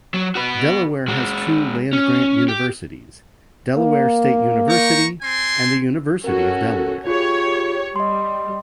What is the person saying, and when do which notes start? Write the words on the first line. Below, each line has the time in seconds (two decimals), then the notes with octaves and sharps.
Delaware has two land-grant universities: Delaware State University and the University of Delaware.
0.14 F#3
0.35 F#4 B4
1.08 G#3 F#4
1.93 C#4
2.48 G4
3.78 A#3
4.69 G5 A#5 C#6
5.22 C4 G#5 C6
6.24 C#4 F#4 A4 A#4 F#5
7.07 F4 G4 G#4 C#5
7.96 G3 D#5 C6